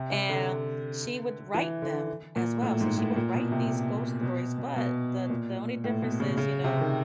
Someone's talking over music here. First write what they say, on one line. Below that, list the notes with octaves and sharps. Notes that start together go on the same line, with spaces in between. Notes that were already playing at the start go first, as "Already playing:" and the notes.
and she would write them as well. So, she would write these ghost stories, but the the only difference is, you know
Already playing: C3
C3
D3
E3
D3
A#2
A2
G#2
A2
A#2
B2
C3
B2
B2
B2
A#2
A2
B2
C#3
C#3
C3
D#3